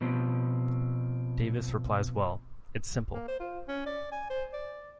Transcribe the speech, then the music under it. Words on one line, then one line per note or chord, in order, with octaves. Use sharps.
Davis replies Well, its simple.
B2 F3 C4
A#3
C5
F4
C#4
D5
G#5
C5
D5